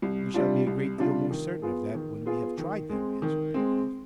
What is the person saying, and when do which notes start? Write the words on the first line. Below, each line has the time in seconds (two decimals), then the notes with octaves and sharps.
"We shall be a great deal more certain of that when we have tried them!" answered Pencroft.
0.02 C2
0.34 C3 G3 D4 F4
0.67 C2
0.98 C3 G3 D4 F4
1.31 D#3
1.62 B3 F4 G#4
1.95 D#3
2.25 B3 F4 G#4
2.58 D#3
2.89 G#3 C4
3.22 D#3
3.54 G#3 C4